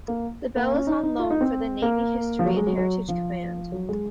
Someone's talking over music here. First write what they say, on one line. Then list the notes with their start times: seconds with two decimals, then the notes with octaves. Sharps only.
The bell is on loan from the Navy History and Heritage Command.
0.08 A#3
0.56 A#3
0.72 C#4
0.87 D#4
1.03 D#4
1.19 F4
1.30 D#4
1.41 C4
1.82 A#3
2.39 F3
2.46 F#3
2.57 G#3
2.67 F#3
2.77 F#3
3.08 F3
3.72 F#3
3.89 G#3